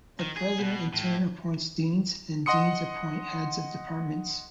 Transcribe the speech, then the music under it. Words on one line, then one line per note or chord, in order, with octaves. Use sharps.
The president in turn appoints deans, and deans appoint heads of departments.
D#3
G#4
B2
A2
D#5 F#5 C6 D#6 C#7